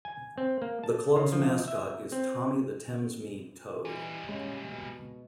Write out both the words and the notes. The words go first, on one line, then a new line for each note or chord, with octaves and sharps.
The clubs mascot is Tommy The Thamesmead Toad.
G#5
C4
A#3
A5
C#3
F3
E5
C4
A#2 E3 G3
G#3 C#4
B2